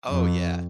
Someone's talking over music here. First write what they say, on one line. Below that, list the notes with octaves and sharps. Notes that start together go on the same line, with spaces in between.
Oh, yeah.
F2